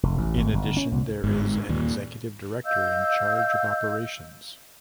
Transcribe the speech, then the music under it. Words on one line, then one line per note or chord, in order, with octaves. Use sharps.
In addition, there is an Executive Director in charge of operations.
F1
A1
G#1
G1
C#4
C2
G1 G#2
D#2 A#2
D#5 F5 E6 G6